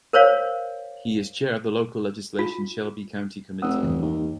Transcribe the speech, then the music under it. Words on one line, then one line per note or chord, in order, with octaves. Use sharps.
He is chair of the Local Legislation Shelby County Committee.
A#4 C5 C#5 F5
F4
F1 F#5 D#6 E6
E2 G2
D#2